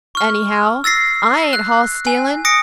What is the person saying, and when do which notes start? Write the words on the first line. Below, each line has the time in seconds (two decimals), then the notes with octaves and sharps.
Anyhow, I ain't hoss stealin'.
0.15 C#6 F6
0.84 E6 A6 A#6 C7
1.53 F#6
2.07 G#5
2.45 D#6 A#6 C#7 D7